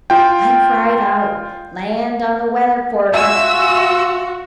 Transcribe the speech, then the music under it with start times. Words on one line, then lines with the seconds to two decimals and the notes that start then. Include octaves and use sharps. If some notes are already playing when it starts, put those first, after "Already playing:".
I cried out, 'Land on the weather-quarter!
0.10 F4 G5
3.14 F4 F#4 E5 G#5 E6